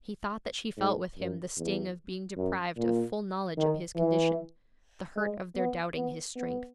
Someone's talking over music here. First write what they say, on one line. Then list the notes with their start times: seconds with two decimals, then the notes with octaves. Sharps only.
He thought that she felt with him the sting of being deprived of full knowledge of his condition, the hurt of their doubting his strength.
0.77 G#2
1.18 F#2
1.57 E2
2.37 F#2
2.77 A#2
3.57 D#3
3.96 E3
5.16 G#3
5.56 B3
5.95 B3
6.36 B3